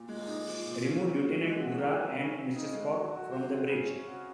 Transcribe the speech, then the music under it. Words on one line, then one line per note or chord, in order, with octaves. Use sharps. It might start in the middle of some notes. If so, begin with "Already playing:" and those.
Remove Lieutenant Uhura and Mr. Spock from the bridge.
Already playing: A#2
G#3
D#4
F3
A#2
C#4
A#2
F#3
G#3
F#4
A#4
C4
C#3
C4
D#4
G#3
F#3
F#4
C5
C4
C#3
C#4
F#4